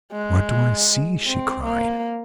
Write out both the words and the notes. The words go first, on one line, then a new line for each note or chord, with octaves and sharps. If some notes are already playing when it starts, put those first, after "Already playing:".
"What do I see?" she cried.
G#3
C4
A#3